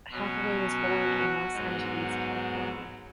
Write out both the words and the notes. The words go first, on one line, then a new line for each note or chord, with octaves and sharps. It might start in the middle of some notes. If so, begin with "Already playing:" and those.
Hathaway was born in Los Angeles, California.
B2 F#3 C#4
F#4
F#4
G#2 F#3 B3 D#4